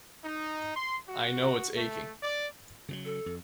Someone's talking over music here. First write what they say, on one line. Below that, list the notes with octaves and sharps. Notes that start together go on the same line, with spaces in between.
I know it's aching.
D#4
C6
F#4
A3
D5
C#3 E3 F#3
A4
F2